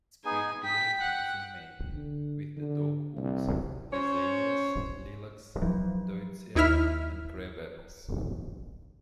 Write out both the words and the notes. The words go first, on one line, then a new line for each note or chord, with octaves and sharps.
Its peak bloom is in May, with the dogwoods, azaleas, lilacs, deutzia and crabapples.
B3 D#4 G#4 G#5
G5 B6
F#5
D3
D3
C2
C#4 C5 C#5
F3 F#3
D#2 D#4 E4 E5 F6 B6